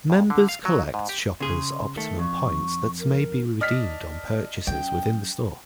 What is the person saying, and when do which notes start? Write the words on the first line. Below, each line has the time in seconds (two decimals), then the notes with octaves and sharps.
Members collect Shoppers Optimum points that may be redeemed on purchases within the store.
0.10 G2
0.30 D3
0.49 F5
0.65 F#3
0.94 G#2
1.09 G4
1.40 C#3 G#4 C6
1.96 D#3 A3
2.19 F2 C#6
3.00 A#4
3.61 D4 D#5 F6 B6
4.67 F#3 C#4 G5